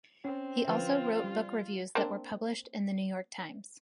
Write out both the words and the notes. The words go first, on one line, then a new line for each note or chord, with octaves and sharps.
He also wrote book reviews that were published in the New York Times.
C4 C#4
D3 F3 F4 B4
G3
A#3 C4 D4